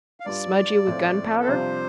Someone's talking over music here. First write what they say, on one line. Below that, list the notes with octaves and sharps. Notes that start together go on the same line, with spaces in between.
Smudgy with gunpowder?
F5
G2 G3 F4 D5
A2 F3 C4 F4
A4
F2 C3 G3 D4 F4 C5